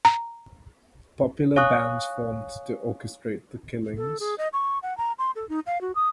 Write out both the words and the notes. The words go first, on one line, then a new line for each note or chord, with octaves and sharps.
Popular bands formed to orchestrate the killings.
A#5
C#5 F5 G#5 C#6 D#6 F#6
A4
G#4
D#5
C#6
F#5
A#5
C6
A4
D#4
F5
F#4
D#6